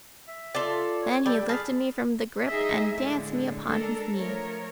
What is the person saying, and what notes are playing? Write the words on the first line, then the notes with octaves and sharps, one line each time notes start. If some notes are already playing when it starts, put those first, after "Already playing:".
Then he lifted me from the grip and danced me upon his knee.
E5
F4 A4 D5
C#5
G3 A4 D5 G5
G#4 A5 B5 F6
D#4 G#4 D#5 E5
A2 D3 G#3
G#3 D4 A4 A#4
F3 A3 A#4 C#5